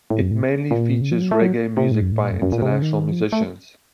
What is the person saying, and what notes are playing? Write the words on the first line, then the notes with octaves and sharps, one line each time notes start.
It mainly features reggae music by international musicians.
A2
F#2
A2
A#2
C#3
F3
F#3
A3
F#3
C3
A2
F#2
A2
A#2
F#2
F#2
A#2
C3
C#3
D#3
F3
A3